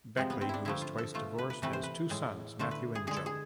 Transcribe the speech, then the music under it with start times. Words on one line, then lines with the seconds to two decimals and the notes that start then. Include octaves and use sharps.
Beckley, who is twice divorced, has two sons, Matthew and Joe.
0.17 C3 F3 G#3 C4
0.30 B3
0.41 C4
0.49 D4 E4
0.65 D3 F3 A3 E4
0.81 F4
0.98 A4
1.14 B2 A3 F4
1.38 B4
1.50 B4
1.62 C3 E3 A3 B4
1.73 C5
1.83 B4
2.10 A2 G#3
2.59 D3 A3 C5
2.71 B4
2.95 G#4
3.07 D3 G#3 G#4
3.16 A4
3.26 G#4